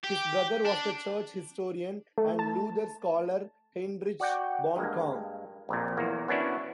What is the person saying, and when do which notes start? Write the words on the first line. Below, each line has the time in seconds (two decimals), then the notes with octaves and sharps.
His brother was the church historian and Luther scholar Heinrich Bornkamm.
0.04 G4
0.65 D4
2.18 A3
2.39 A5
4.20 F#4 D5 F#5 G5
4.76 G2 G#3 A#3
5.69 A#1 F2 A#2
5.97 B1 E2 A#3
6.28 B3 C#4 D4 E4 F#4